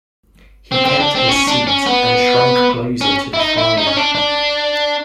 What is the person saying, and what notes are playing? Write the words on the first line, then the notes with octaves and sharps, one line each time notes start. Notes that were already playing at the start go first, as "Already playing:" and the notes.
He kept his seat, and shrank closer to the fire.
C4
C4
D4
C4
C#4
D4
C#4
B3
C#4
E4
D#4
E4
D#4
C#4
D4
D4